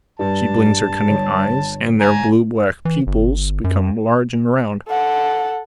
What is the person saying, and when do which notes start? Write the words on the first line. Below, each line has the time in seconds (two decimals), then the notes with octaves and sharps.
She blinks her cunning eyes, and their blue-black pupils become large and round.
0.19 G2 A5
1.08 G1 C#5
2.01 G#5 A#5
2.85 E3
3.07 G1
3.64 F#2
4.88 A4 F#5